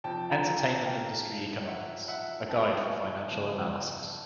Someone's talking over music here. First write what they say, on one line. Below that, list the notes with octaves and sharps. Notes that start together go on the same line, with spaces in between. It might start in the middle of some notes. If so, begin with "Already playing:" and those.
"Entertainment Industry Economics: A Guide for Financial Analysis".
F2 C3 F3 G5 A5
G#5 A#5
G5 A5
F5 G5
E5 F#5
E5 F#5
G5 A5
F#5 G#5
F2 C#3 E3 G3 B3